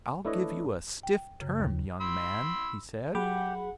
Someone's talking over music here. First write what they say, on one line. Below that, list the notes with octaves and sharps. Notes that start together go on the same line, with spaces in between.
"I'll give you a stiff term, young man," he said.
A3 D4 E4 B4 C#5 D#5
G5
F#2 C#3
D#2
B5 C6 E6
F#3 G4 G#4 F#5 B5